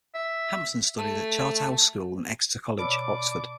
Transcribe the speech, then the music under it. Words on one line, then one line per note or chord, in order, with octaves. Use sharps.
Hampson studied at Charterhouse School and Exeter College, Oxford.
E5
A3
B2 C#5 D5 A5 B5 D6 E6 F6